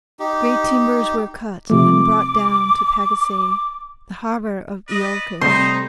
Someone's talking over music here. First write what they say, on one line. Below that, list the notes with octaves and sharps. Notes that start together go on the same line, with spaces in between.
Great timbers were cut and brought down to Pagasae, the harbor of Iolcus.
D#4 G4
C3 F3 A3 D6
B4 D5 D#5
C3 G3 A3 D#4 C5 C6